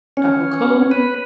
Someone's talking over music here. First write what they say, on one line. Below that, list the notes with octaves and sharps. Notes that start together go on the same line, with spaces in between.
Oh, cool.
C#4
B4